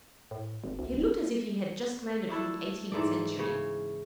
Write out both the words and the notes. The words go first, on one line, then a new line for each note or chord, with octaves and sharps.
He looked as if he had just landed from the Eighteenth Century.
A2
G#1
D2
F1
A3 D4 E4 A4
G#2 E3 A4 D5
C#3 C#5